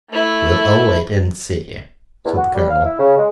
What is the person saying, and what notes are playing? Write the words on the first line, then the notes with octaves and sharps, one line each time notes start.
"We'll all wait and see," said the colonel.
A3 E4
E2
F#4
G3
F5
E4
C#3
G#3